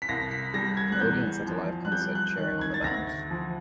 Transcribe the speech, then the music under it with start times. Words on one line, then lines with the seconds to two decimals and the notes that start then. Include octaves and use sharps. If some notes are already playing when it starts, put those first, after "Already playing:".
An audience at a live concert cheering on the band.
0.02 B6
0.09 C2 A#6
0.31 B6
0.54 G3 A#6
0.77 G#6
0.92 F#6
1.00 E2 G6
1.47 F3
1.85 F#6
1.92 G3 G6
2.15 F#6
2.38 D#3 F#6
2.61 G#6
2.74 A6
2.84 D2 A#6
3.30 F3